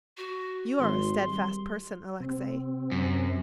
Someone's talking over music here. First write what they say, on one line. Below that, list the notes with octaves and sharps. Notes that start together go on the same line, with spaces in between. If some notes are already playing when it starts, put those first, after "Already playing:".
You are a steadfast person, Alexey.
F#4
G#1 C6
G3
C3 C4
F#2